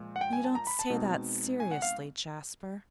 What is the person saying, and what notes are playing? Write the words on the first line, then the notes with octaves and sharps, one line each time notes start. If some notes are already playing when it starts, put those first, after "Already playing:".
'You don't say that seriously, Jasper?'
Already playing: A#2 F3 G#3
F#5
G5
G#5
A5
A#5
B5
A5
B2 G#3 C4 D#4
G#5
F#5
F5